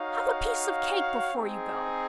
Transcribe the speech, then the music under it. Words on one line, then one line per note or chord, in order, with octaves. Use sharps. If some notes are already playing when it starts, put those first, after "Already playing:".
Have a piece of cake before you go!
Already playing: D#4 F#4 C#5 F5
C4 D#4 G#4